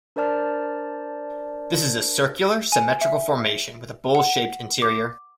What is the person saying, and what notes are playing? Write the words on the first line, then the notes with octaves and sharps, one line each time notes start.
This is a circular, symmetrical formation with a bowl-shaped interior.
D4 A#4 C5 D5 A5 F6
G#5
E5
F#5
D6